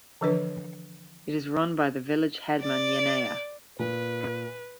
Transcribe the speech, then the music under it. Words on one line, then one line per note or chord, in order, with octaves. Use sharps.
It is run by the village headman Yeneya.
D3 E3 F3 D4 B4 C#5
D5
A#2 B4